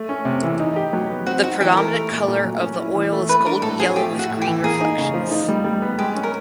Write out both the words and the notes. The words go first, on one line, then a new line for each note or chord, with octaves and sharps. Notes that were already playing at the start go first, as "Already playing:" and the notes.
The predominant color of the oil is golden yellow with green reflections.
Already playing: A3
C#4
C3
E3
D#4
G4
F#3
B3
C4 F#4
D#4 F#4
E3 G4
A4
A3 A#4
A3
A#2
A#2
F#3
C#4
E4
E3
A3
A3 B4
D4 A#4
A2 A4
F3 G#4
A3 G4
A2
F#4
A2
G4
E3
A#3 G#4
D#4
C#3
F3
D#4
G3
G3
B3
G#3 G4
C#4
A#4